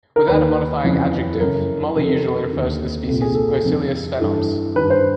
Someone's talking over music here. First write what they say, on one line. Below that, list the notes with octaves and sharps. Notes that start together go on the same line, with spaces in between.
Without a modifying adjective, molly usually refers to the species "Poecilia sphenops".
A#4
D#2 D#3 B4
F2 C#3 E3
A4
F#2 C#3 E3 A#4
F2 C3 D#3 A#4
A4
A#4
D#2 D3
C2 A#2 A4
G#4
A4
F2 C3 D#3
G2 E3 A4
D#3 B4
G2
C5